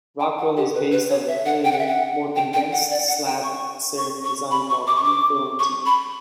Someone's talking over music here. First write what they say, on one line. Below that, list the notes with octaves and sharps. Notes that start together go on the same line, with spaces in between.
Rockwell is based on an earlier, more condensed slab serif design called "Litho Antique".
G5
F#5
G4
B4
B4
C#5
E5
F#5
G5
F#5
E5
F#5
G5
G5
F#5
D5
F#5
G5
C#6
C#6
C#6
B5
C#6
D6
C#6
D6
C#6
B5